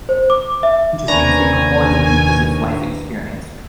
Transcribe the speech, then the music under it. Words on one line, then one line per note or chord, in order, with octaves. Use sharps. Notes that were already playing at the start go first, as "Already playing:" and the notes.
just means they know more than you because of life experience,
C5
D6
E5
D#2 C3 D4 B4 G#5 A#5 C#6